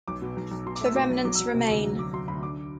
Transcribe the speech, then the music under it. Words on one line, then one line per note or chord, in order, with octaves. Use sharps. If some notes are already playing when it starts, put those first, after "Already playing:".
The remnants remain.
B1 D6
B2
B1
B1
B2 C6
D6
A3 E6
B2 D6
B1
F#3 D6
E6
F#3
C3
D2
F#3
F#3 D6
F#3 C6
D2 B5
D3 D6